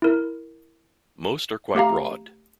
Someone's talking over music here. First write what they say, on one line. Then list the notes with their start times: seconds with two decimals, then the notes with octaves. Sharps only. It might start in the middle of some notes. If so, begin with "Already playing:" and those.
Most are quite broad.
0.02 E4 A#4
1.75 A3 G4 F5 A#5